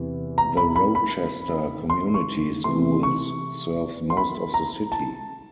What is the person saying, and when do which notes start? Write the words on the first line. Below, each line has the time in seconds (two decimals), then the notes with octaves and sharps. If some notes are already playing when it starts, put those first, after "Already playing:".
The Rochester Community Schools serves most of the city.
Already playing: E2 C3 E3
0.38 A#5
0.57 B5
0.76 B5
0.95 B5
1.90 C6
2.14 C#6
2.64 C3 E3 A3 C6
3.03 C#6
4.10 C6
4.17 B5
4.54 A#5
4.92 A5